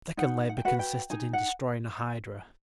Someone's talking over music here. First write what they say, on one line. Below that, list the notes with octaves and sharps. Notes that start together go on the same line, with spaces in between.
The second labor consisted in destroying a hydra.
D#4 F#5
F#5
G5
F#4 B4 F#5
G5
D#4 G#5
F#5